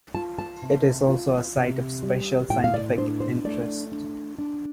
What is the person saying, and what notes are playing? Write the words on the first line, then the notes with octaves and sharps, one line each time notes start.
It is also a Site of Special Scientific Interest.
F4 A5
A5
C3
F4
C3
G3
A2 G5
F5
D5
D4 C5
C5
A3 D5
D4
D4